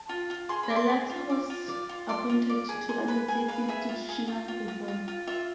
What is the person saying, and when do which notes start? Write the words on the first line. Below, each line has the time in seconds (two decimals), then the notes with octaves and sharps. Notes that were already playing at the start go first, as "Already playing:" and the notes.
The latter was appointed to undertake institutional reform.
Already playing: A5
0.09 F4
0.30 F4
0.49 G#4 C6
0.63 B5
0.70 D5
0.76 C6
0.89 G#4
1.10 F4
1.30 D5
1.50 F4
1.69 D5
1.89 F4
2.09 D5 C6
2.30 F4
2.49 D5
2.69 G#4
2.89 G#4 C6
3.08 B4 B5
3.28 G#4 G#5
3.48 B4 F5
3.68 G#4 E5
3.89 F4
4.09 G#4
4.28 F4
4.48 F4
4.68 F4
4.88 F4
5.08 F4
5.27 F4 E5